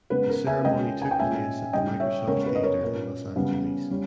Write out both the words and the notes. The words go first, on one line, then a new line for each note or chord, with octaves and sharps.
The ceremony took place at the Microsoft Theater in Los Angeles.
C#3 G#3 B3 B4
A#4
E5 G#5
C#3 G#3 C#4 D#5 G5
G#5
G5
A#2 G#3 C#4 E5 G#5
C#3 G3 C#4 D#5 G5
C#5 E5
C#3 G#3 B3 A#4 C#5
B4
D#5
A#4 C#5
A#2 A#3 C#4
C#3 G3 B3
G3 C#4